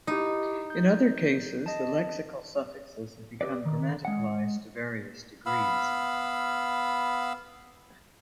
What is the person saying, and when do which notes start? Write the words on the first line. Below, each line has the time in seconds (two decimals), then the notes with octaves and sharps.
In other cases, the lexical suffixes have become grammaticalized to various degrees.
0.07 D#4 E4 G4
0.70 G6
1.66 D#5 A5
3.41 G4 G#4 B4 D5
3.66 D#3
4.05 G#3 F#5
5.46 B3 F5 B5 E6